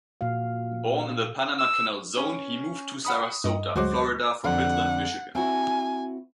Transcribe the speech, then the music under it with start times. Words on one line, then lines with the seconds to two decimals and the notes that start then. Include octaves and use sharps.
Born in the Panama Canal Zone, he moved to Sarasota, Florida from Midland, Michigan.
0.21 A#2 A#3 F#4 F5
1.58 E6
2.17 C#4
3.05 F#5 B5 D#6
3.44 G2 D#5
3.76 D2 F#3 G#3 F#4 C5 D6
4.44 F2 D3 F#5
5.35 C4 E4 F#4 G#5